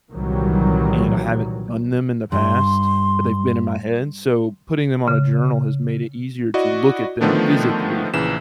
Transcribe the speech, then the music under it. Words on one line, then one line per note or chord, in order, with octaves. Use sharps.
and I haven't done them in the past, but they've been in my head. So putting them on a journal has made it easier to look at them physically
C2 A#2 D#3 E3 F#3 G3
G2 C6
C#3
E4 F#4 D5 D#5
D3 D#3 F3 A3 B3 D4
A#1 C#3 E3 E7